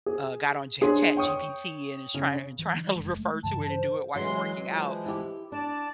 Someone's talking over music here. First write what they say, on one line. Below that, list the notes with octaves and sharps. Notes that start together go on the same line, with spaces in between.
uh, got on Chat ChatGPT and is trying and tryna refer to it and do it while you're working out,
G#4
D4 G#4 C#5 C6
C#5 G5 C#6 D#6
C#3
E3 F#3
F#1 G#3
G#3 A3
G2 C#3 E3 A5
C5
E3 F#3 G#3 C6
E3 F3 G#3
E4 G4
D4 D5 A5